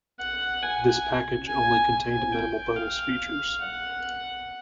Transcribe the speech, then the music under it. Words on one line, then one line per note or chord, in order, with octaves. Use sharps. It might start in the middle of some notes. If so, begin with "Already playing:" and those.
This package only contained minimal bonus features.
F#5
G#5
G#5
G#5
G5
F5
F#5